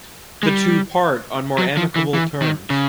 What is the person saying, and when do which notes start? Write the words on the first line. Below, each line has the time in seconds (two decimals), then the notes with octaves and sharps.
The two part on more amicable terms.
0.43 G#3
0.47 G3
1.58 F#3
1.77 F3
1.96 E3
2.14 E3
2.42 D#3
2.70 C#3